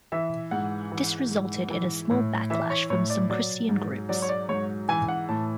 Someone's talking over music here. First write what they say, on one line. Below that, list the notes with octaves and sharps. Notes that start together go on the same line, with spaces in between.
This resulted in a small backlash from some Christian groups.
E3 E5
G#2 F#5
E3
G#2
E3
A2
E3 E5
C#5
A2 C#5
D5
F#3 D5
G#2
F#3 D5
C#5
D5
G#2 C#5
E3 G#5
F#5
A2 A5